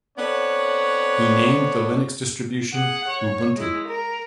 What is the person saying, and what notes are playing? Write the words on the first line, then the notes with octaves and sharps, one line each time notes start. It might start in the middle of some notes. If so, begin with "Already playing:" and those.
He named the Linux distribution Ubuntu.
B3 C4 D4 A4 C#5
G#4 F#5
C#5
G#3 E4
A#4